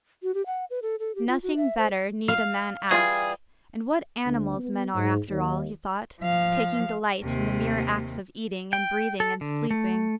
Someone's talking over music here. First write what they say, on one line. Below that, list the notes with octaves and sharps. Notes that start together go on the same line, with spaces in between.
Nothing better need a man ask; and what animals men are, after all, he thought, taking delight in the mere acts of eating and breathing and sleeping.
F#4
G4
F#5
B4
A4
A4
G4
F4
F#4
E5
C5
F5
E3 G3 F4 G#4
D2
B3
G#2
D#2
F3 F5
D#2 C3
G5
A4
D3
A3